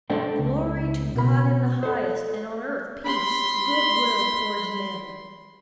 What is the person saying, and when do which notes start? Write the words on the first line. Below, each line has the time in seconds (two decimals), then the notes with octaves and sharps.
"Glory to God in the highest, and on earth peace, good-will towards men!"
0.10 A3 D4 A4 C5 D5 G5
0.39 C#2
1.15 B2 B5
1.83 A4 C5
3.04 B5 C6